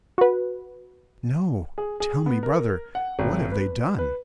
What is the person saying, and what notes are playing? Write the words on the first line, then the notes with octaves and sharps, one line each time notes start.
"No. Tell me, Brother, what have they done?"
F#4 B4
G#4
G#4
B3
A#4
F#5
G#1
B4
B4